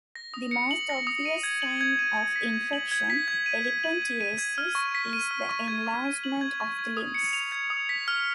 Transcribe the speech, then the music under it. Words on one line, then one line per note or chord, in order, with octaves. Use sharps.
The most obvious sign of infection, elephantiasis, is the enlargement of the limbs.
A#6
D#6
C#7
F#7
A#6
D#6
D#7
G#6
F#7
G#6
D#7
G#6
B6
G#6
F#7
G#6
B6
G#6
D#7
G#6
F#7
G#6
D#7
G#6
F6
C#6
B6
D#7
F6
C#6
G#6
C#6
D#7
F#7
G#6
C#6
G#6
D#6
C#7
F7
G#6
D#6
B6
F6